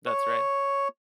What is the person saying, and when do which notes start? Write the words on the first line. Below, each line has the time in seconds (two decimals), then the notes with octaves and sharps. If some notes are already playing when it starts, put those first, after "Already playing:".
That's right.
0.06 C#5